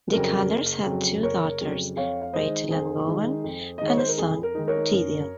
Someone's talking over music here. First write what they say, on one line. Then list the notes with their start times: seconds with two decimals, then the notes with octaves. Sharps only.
The Calders had two daughters, Rachel and Gowan, and a son, Gideon.
0.12 F2 C#3 F#3 A#4
0.49 F#1
0.86 F2 C#3 F#3
1.23 F#1 A#4 C#5
1.61 F2 C#3 F#3
1.96 F2 C#5 F5
2.22 F5
2.33 D#3 G#3 D#4 C5 D#5
2.71 F2 G#4 C5
3.07 D#3 G#3 D#4
3.44 F2
3.78 D#3 G#3 D#4 D#5
3.88 C#5
3.97 C5
4.08 A#4
4.18 F2 G#4
4.43 A#4
4.55 D#3 G#3 D#4
4.68 A#4 C#5
4.92 F#2